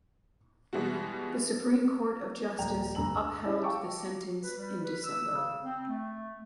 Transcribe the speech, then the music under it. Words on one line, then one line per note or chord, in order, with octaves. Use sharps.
The Supreme Court of Justice upheld the sentence in December.
B2 E3 G3 G#3 F#4
D#1 A#1 G5 A#5 F7
D2 G2 A#5 E6 F#7
E6
C#4 E4 G4 G#4 D#5 A5
F5 G5 A5 C#6 D6 E6
B4
G3
B4
E6
C#3
C4
A3